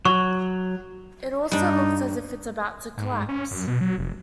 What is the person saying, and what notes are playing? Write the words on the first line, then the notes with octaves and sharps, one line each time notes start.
It also looks as if it's about to collapse.
F#3 C#6
G2 G3 D4 D#4
G#2
C#4
F#2
B2
F#3
F1